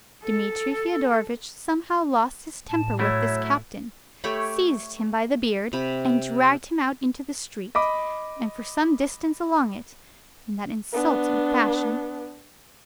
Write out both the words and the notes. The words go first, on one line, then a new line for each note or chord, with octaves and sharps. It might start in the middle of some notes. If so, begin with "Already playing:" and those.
Dmitri Fyodorovitch somehow lost his temper with this captain, seized him by the beard and dragged him out into the street and for some distance along it, in that insulting fashion.
A4
A2 A5
F#3 A3 E4 C#5
A3 G4 C#5 B5
C3 B5
D#5 B5 D6
B3 D4